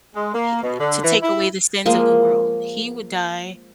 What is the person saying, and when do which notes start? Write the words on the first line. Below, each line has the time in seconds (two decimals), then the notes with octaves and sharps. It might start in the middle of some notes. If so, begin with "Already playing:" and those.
he d to take away the sins of the world, he would die
0.15 G#3
0.34 A#3
0.63 B2
0.79 D3
1.03 E3
1.22 E4
1.86 F3 G#3 A#3